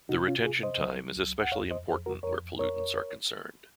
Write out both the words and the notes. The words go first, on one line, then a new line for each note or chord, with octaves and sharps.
The retention time is especially important where pollutants are concerned.
C3 D#4 F#4
C#4 F4
F#4
C3 F4 G#4
C5 D#5
F#3
C#2
F#5
F2 C#5 F5
C5 D#5
F2 G#4 C5
F#4 A#4
F2 A#4 C#5
F2 A#4 C#5